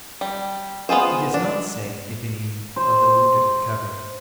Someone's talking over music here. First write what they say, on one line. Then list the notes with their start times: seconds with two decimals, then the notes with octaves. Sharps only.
He does not say if any of the wounded recovered.
0.21 G3
0.89 B3 F4 G#4 C5
1.34 D4
2.76 C5